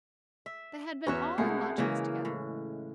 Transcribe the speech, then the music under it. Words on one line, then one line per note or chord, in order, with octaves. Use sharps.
They had been all in lodgings together.
E5
E2 B3 C#4 F#4 E5
C2 G#3 A3 G#4
C#3 E3 G#3 A#3
A2